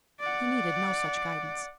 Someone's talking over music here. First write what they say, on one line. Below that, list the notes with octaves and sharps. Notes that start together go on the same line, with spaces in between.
He needed no such guidance.
D5 F#5